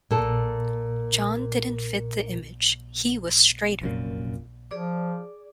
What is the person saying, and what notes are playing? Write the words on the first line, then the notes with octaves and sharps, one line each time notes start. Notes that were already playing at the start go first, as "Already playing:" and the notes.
John didn't fit the image; he was straighter.
A#2 A4
F1 F#2 A#2
F3 G#4 D5 D6